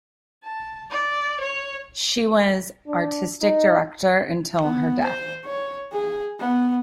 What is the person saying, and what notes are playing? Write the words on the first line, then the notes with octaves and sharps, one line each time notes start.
She was artistic director until her death.
A5
D5
C#5
D4
D#4
B3
C5
C#5
G#4
B3